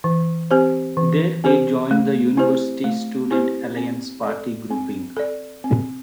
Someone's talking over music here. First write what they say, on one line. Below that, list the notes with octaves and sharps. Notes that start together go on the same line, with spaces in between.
There he joined the university's student Alliance Party grouping.
E3
C4 G4 C5
E3
C4 G4 C5
A3
C4 E4 G4 C5
A3
C4 E4 G4 C5
C4
D5
A4
C4
A4 D5
C4